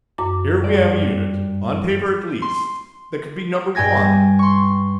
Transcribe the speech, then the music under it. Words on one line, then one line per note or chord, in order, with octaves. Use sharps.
Here we have a unit, on paper at least, that could be number one.
F#2 D6
G2 D5
C6
G2 G5 G#5 G#6 A#6
C6 C#6